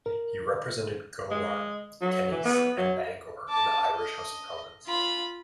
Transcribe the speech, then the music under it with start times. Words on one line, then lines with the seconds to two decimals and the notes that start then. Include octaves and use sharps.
He represented Gowran, Canice and Bangor in the Irish House of Commons.
0.06 A#4
1.31 G#3
2.01 F#3
2.31 E3
2.45 B3
2.78 F#3
3.49 A5 D6
3.95 D#5
4.86 F4 B5